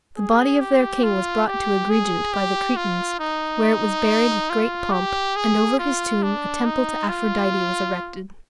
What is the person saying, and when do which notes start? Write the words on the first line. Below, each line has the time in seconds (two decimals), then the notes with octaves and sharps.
The body of their king was brought to Agrigent by the Cretans, where it was buried with great pomp, and over his tomb a temple to Aphrodite was erected.
0.17 G#4
0.60 G4
1.03 F4
1.47 G4
1.90 G#4
2.33 G4
2.76 F4
3.20 D#4
4.50 F4
4.92 G4
5.36 G#4
5.79 F4
6.23 D4
6.65 D#4
7.09 F4